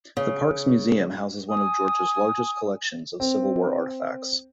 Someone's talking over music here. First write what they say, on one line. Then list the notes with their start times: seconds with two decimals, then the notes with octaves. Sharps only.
The park's museum houses one of Georgia's largest collections of Civil War artifacts.
0.17 C#3
1.49 G#5 D#6
3.20 C4